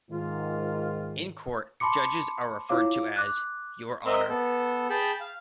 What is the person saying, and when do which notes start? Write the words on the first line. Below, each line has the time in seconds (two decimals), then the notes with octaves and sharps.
In court, judges are referred to as "Your Honour".
0.11 G#2 D#3 F4
1.80 A5 B5 C6 D6 C#7
2.69 E4 F4 C#5 F5 D6
3.16 D6 F#6
4.06 C4 A#4 D#5 E5 C6
4.29 B3 A4
4.90 G#4 G5 A5 B5
5.20 F5